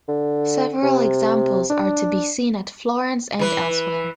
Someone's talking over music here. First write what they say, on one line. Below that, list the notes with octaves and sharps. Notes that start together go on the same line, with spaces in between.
Several examples are to be seen at Florence and elsewhere.
D3
C3
D4
E3 B4